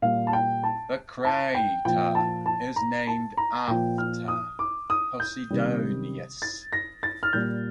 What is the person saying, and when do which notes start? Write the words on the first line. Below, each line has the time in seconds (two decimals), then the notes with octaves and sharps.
The crater is named after Posidonius.
0.02 A#2 G3 F5
0.27 A5
0.33 G5
0.63 A5
1.25 A5
1.55 G5
1.85 A#2 F3 G5
2.15 A5
2.46 A5
2.76 A#5
3.07 A5
3.37 A#5
3.68 A#2 F3 G5
3.98 F6
4.28 D#6
4.59 D6
4.90 D#6
5.20 G6
5.50 C3 D#3 G3
6.42 A6
6.73 A#6
7.03 A6
7.23 F6
7.33 A#2 G3 G6